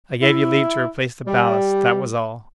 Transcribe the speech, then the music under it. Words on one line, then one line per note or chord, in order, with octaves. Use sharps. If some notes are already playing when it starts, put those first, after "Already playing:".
"I gave you leave to replace the ballast; that was all!"
E4
G3